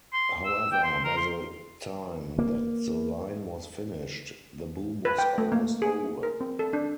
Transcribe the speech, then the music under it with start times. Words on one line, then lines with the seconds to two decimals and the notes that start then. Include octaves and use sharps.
However, by the time that the line was finished, the boom was almost over.
0.13 C6
0.45 E6
0.72 G5
0.84 C6
1.05 A#4
1.17 C6
2.38 A#3
5.05 B4
5.18 G5
5.38 A3
5.52 A#3
5.82 G#4
6.23 A#4
6.41 C4
6.59 A4
6.73 D4